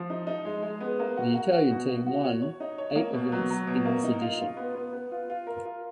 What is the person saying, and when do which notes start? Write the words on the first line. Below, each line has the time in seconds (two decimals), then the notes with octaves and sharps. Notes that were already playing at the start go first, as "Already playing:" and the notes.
The Italian team team won eight events in this edition.
Already playing: F3
0.10 D#4
0.27 D#4
0.45 G#3
0.63 G#3
0.81 B3
1.00 A#3
1.17 F#4
1.34 F#4
1.52 F#4
1.71 B2
1.89 F#4
2.07 F#4
2.24 C#5
2.42 C#5
2.60 D#4
2.78 C#5
2.96 A#3
3.13 B2
3.32 F#3
3.50 F#3
3.67 B2
3.86 A#3
4.04 D#4
4.21 F4
4.40 F4
4.57 B3
4.75 B3
4.93 B3
5.12 F4
5.30 F4
5.47 A#4
5.65 F4